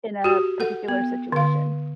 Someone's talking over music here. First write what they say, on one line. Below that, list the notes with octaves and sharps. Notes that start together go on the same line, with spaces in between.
in a particular situation.
F#4 G4
A4 F#5
B3
D3 F5